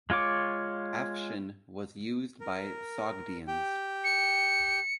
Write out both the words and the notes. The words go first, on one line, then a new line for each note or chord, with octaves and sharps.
Afshin was used by Sogdians.
G#3 F4 C#5 D6
A#4
G4 G5
C#7